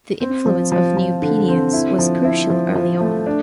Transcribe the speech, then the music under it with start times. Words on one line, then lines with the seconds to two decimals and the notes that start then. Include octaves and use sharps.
The influence of Nupedians was crucial early on.
0.20 C4
0.46 F3
0.72 F3
0.97 F3
1.22 D3
1.48 C4
1.73 E4
1.98 F3
2.24 E4
2.50 F3
2.75 F3
3.01 A3
3.26 D4